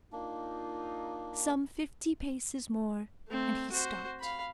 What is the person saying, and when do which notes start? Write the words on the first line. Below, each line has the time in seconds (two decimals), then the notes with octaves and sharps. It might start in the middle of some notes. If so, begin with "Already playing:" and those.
Some fifty paces more, and he stopped.
0.12 A#3 D4 D#4 F4
3.28 A3 C4
3.71 F#4 C5
4.20 F5 B5